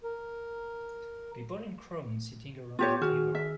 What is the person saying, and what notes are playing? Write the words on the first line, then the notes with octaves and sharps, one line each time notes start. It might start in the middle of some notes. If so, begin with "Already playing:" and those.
People in crowns sitting around the table.
A#4
B3 F4 G4 C#5
D#3 F#4 G#4 F6
E5